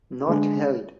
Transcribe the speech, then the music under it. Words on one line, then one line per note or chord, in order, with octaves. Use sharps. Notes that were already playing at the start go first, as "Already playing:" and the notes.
Not Held.
D3 G#3 D4